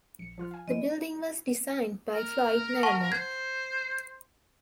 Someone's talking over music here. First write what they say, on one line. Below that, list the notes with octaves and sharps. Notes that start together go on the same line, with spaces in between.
The building was designed by Floyd Naramore.
A#1 C#7
F3 F4 F6
F5 G#5
F3 C4 E4 D5 D#5
A#4
F#5 A5 C#6
C5 G#6